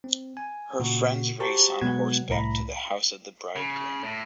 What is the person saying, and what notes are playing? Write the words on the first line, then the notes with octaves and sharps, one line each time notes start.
Her friends race on horseback to the house of the bridegroom.
C4
G#5
A#2 C#3 F#4
F#4 G4 C5 A5 A#5 C#6
B2 F#3 G#3 B3 F#5 G#6
C2 A2 E4 A#5 B5
C#3
A2